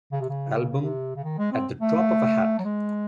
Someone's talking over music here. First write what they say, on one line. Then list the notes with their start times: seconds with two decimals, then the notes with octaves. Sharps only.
Album - "At the Drop of a Hat".
0.12 C#3
0.21 C3
0.29 C#3
0.68 C#3
0.82 C3
1.16 C#3
1.24 D#3
1.38 G#3
1.52 C4
1.81 A3
2.59 F#3
2.65 G#3